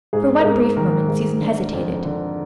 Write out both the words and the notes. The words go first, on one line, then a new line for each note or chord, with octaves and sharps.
For one brief moment Susan hesitated.
G#2 G#4
A#4
G#2 G#4
D#3 A#4
G#2
D3
F2
D3